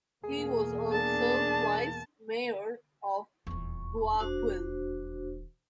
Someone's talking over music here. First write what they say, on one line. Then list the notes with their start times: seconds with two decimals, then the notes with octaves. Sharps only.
He was also twice mayor of Guayaquil.
0.24 E2 B2 A#3 G#4
0.93 D4 A5
3.47 D#1 E2 C#6
4.20 D4 F#4 C5